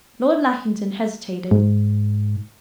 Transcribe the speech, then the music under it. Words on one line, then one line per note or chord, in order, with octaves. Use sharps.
Lord Lackington hesitated.
G#2